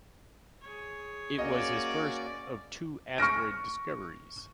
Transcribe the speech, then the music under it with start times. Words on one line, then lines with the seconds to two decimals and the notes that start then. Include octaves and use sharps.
It was his first of two asteroid discoveries.
0.61 G#4 C#5
1.39 A#3 C#4 F#4 D5 D#5
3.18 C#6 F6 A#6 D7